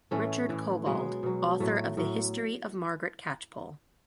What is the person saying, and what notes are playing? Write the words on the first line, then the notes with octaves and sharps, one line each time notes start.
Richard Cobbold, author of the "History of Margaret Catchpole".
A2 E3 A3 C#4
A2 E3
B2 F#3 G#3 B3
B2 F#3
A2 F#3 A3
A2 F#3